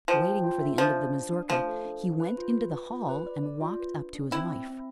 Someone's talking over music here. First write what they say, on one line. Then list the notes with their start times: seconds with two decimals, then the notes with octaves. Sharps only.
Waiting for the end of the mazurka, he went into the hall and walked up to his wife.
0.08 F3 G5
0.26 G5
0.44 F4
0.61 E5
0.78 F3 D4
0.96 D4
1.14 D4
1.32 D4
1.50 F3 A3
1.67 A4
1.85 D4
2.02 D4
2.20 B4
2.38 F4
2.55 B4
2.73 B4
2.91 F4
3.09 B4
3.26 D5
3.43 D5
3.61 F4
3.80 B4
3.96 D4
4.15 D4
4.31 C4 E4
4.50 C4
4.67 C4